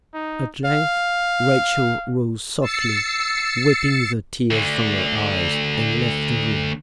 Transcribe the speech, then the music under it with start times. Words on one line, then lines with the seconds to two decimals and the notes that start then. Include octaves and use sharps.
At length Rachel rose softly, wiping the tears from her eyes, and left the room.
0.14 D#4
0.65 F5
2.60 E6 A6 C7 C#7
4.51 D2 D3